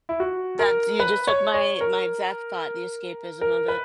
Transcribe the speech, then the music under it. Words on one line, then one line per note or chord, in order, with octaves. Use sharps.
That's You just took my my exact thought, the escapism of it.
E4
F#4
A#4
B4
C#5
C#5
A#4
A#4
B4